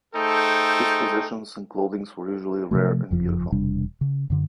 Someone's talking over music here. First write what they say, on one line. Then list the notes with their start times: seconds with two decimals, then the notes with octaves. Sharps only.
His possessions and clothings were usually rare and beautiful.
0.14 A3 D#4 G#4 A4 C5 G5
2.71 C3 F3 A3
3.11 F#1 F2 F3
3.52 E1 C3 G3 D4
4.01 C#3
4.30 F#2 D3